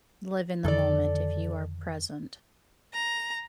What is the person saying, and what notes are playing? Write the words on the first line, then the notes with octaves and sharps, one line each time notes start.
live in the moment, if you are present,
F2 D3 D#3 A4 D5
A#5